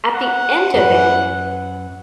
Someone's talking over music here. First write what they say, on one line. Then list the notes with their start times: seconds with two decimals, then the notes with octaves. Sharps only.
at the end of it,
0.15 F#5
0.74 F#2 B4